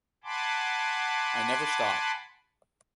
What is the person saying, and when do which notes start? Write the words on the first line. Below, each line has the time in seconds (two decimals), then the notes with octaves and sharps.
I never stop.
0.24 F#5 G#5 A5 B5 C6 D6